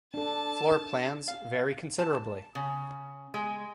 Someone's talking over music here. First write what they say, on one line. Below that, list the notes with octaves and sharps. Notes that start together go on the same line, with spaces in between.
Floor plans vary considerably.
D4 A4 A5
F5
A5
C#3
G#3